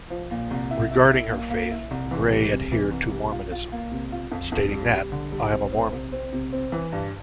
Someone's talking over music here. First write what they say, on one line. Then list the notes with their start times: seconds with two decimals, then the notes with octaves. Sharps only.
Regarding her faith, Grey adhered to Mormonism stating that, I am a Mormon.
0.10 F3
0.31 A#2
0.51 C2
0.71 E4
0.91 E4
1.11 E4
1.31 A#3
1.50 A#3
1.71 E4
1.91 C2
2.11 E3
2.31 G3
2.51 C3
2.72 E3
2.91 C2
3.12 G3
3.32 F4
3.52 F4
3.72 A#3
3.92 C3
4.12 F4
4.32 F2
4.52 F2
4.72 G3
4.92 G3
5.12 D3
5.32 G3
5.52 C4
5.72 C4
5.92 C3
6.12 C4
6.33 C3
6.52 C4
6.72 E3
6.93 G2